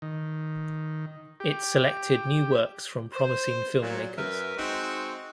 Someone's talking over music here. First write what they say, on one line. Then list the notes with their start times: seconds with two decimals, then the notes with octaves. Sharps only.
It selected new works from promising filmmakers.
0.02 D#3
1.40 G4
3.14 C5
3.81 A#2 F#3
4.16 F#2 A#4 B4 E5
4.56 G#3 C4 D#4 F#4